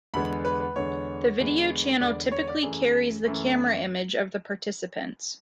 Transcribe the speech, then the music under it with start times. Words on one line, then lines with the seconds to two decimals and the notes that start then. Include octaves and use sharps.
The video channel typically carries the camera image of the participants.
0.14 E2 D3 G#3 B3 B5
0.45 B4
0.60 B4
0.76 E2 D3 G#3 B3 C#5
1.39 E2 D3 G#3 B3
2.00 E2 D3 G#3 B3 D5
2.32 C#5
2.47 D5
2.63 F#2 E3 A3 G#4
3.25 F#2 E3 A3